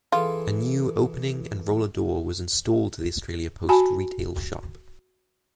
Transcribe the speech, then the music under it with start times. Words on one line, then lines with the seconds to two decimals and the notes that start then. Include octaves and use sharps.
A new opening and roller door was installed to the Australia Post retail shop.
0.12 E3 F4 G#4 A4
3.69 F#4 G#5 A5 B5